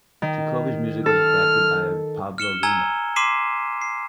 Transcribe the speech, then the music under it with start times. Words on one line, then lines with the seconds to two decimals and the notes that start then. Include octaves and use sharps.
Jacobi's music was adapted by Pablo Luna.
0.22 D#3
1.06 A4 F6
2.38 F6 C#7 E7 G7
2.63 G#5 A#5 E6 G#6 G7
3.16 C6 D6 B6 C7 D#7 E7
3.81 C7